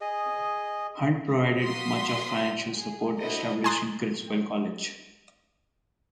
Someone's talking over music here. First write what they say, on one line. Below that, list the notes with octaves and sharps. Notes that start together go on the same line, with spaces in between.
Hunt provided much of the financial support establishing Criswell College.
G#4 D#5
A#3 F#4 C6 D#6 B6
G#4
D4 E4 F#4 A4 C5 D#5
G#5 A#5 C6 D#6 F#6 A6